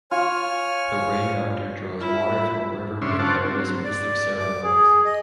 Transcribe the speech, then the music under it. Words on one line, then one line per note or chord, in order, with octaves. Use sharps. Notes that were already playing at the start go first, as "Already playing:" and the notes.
The rain-doctor draws water from a river with various mystic ceremonies.
F4 C#5 G#5 F6
G3 E4 F4
G2 C#3 C#4 D4 E5 C6
F4 C5 C#5 F#5 A5 D6
C4 D4
F#3 C4
D5
D6
G#4
D#5